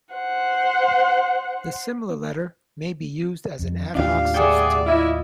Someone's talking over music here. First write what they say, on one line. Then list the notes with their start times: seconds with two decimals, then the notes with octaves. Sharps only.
The similar letter may be used as an ad-hoc substitute.
0.15 C5 F#5
3.59 F2
3.95 D#2 A2 D4 F4 G4 F5
4.34 G3 G#4 D5 E5 F#5 G5
4.86 E4 F4 D#5